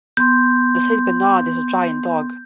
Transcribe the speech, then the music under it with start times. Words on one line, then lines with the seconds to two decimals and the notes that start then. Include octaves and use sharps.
The Saint Bernard is a giant dog.
0.17 B3 C6 G6